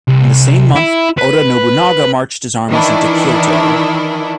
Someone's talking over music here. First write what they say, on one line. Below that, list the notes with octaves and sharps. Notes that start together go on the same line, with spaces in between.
In the same month, Oda Nobunaga marched his armies into Kyoto.
C2
E4
B4
D#3 E3 D4 E4